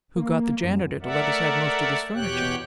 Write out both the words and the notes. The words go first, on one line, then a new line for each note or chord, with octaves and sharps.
Who got the janitor to let us have most of this furniture?
A#3
F#2
A3 A#4 D5 E5 F#5
E2 B2 G4 C#5 G5 F#6